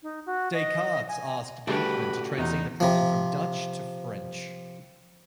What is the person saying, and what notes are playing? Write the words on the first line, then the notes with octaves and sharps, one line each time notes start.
Descartes asked Beeckman to translate the problem from Dutch to French.
D#4
F#4
D#5
G#5
C#3 G3 A3 F#4 G4 B4
E2 D#4
C3 F3